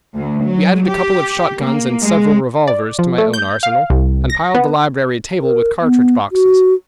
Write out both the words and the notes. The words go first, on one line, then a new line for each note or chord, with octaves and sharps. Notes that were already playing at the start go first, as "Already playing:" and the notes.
We added a couple of shot-guns and several revolvers to my own arsenal, and piled the library table with cartridge boxes.
D2
F#3
G4
A#3
G#3
D5
F3
A3
G6
F5
C2
A#6
B3
A#4
B3
F#4